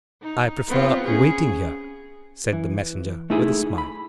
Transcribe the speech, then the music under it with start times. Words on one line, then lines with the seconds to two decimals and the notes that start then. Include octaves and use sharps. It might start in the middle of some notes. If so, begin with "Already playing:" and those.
"I prefer waiting here," said the messenger, with a smile.
0.22 D#4
0.68 B3 C4 F4
1.04 C#4 G#4
2.53 E3
3.30 A3 D#4 E4 G#4
3.78 B5